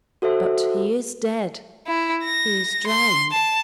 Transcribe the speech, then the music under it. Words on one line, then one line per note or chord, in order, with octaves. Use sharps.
'But he is dead--he is drowned!'
F#4 A4 C5 E5
E4
A#6
C6
A5